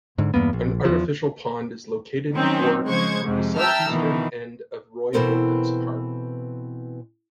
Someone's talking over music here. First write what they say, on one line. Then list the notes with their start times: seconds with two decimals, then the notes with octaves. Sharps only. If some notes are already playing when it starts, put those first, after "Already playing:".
An artificial pond is located toward the southeastern end of Roy Wilkins Park.
0.18 G#2 D3
0.34 E2 G2 A#3 B3
0.53 A#1
0.85 E2 F3
2.36 D#3 F#3 C4 C#4 D#4
2.85 C#3 F3 G#3 C5 C#6 G#6
3.24 F2 G#2 C3
3.58 E5 G5 A5 A#5 E6 F6
3.89 B2 D#3 E3
5.13 B2 E3 G#3 C4 A4 A#4